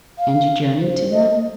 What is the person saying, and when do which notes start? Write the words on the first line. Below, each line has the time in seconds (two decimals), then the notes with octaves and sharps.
"And you journeyed to them?"
0.18 F5
0.81 C5
1.11 D#5